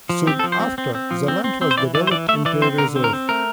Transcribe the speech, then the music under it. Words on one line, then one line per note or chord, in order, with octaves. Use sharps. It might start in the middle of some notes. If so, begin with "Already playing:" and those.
Soon after, the land was developed into a reserve.
F3
C4 G4
A4
F3
C5
C4
C4
C4
F3
C4
C4
C4
C5
E3 D5
E3 D5
C5
E3 D5
A3 E5
E3 D5
C4 C5
D3 A#4
C4
A#4
C4
A3 A#4